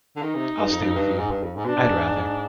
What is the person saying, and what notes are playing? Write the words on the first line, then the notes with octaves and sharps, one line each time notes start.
I'll stay with you; I'd rather.
D3
D#3 D#4
C3
G2
F2
G2
G#2
G2
F2
G#2
B2 D4
G#2